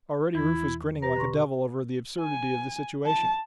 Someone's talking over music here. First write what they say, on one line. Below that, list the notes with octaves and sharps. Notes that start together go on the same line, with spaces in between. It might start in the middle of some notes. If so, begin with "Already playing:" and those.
Already Rufe was grinning like a devil over the absurdity of the situation.
E2 E3 E4
B2 G4 B4 A#5
D3 C6 C#6
G#5
A5